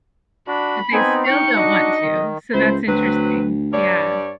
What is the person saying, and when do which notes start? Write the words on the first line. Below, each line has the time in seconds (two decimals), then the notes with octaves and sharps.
But they still don't want to. So that's interesting, yeah.
0.47 D4 F#4 B5
0.93 B3 C4 D#4 G#5
1.26 D#4 G5 C#6 F6 C#7
1.56 D4 F#4 D#5
2.01 D#3
2.54 C#2 E4 C5
2.88 D2 F#3 C4 B4
3.73 G2 C#5 D5